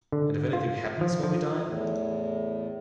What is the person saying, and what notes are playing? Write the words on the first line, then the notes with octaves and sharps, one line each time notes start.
And if anything happens while we dine?
D3
F4
F3
F3
E2 A2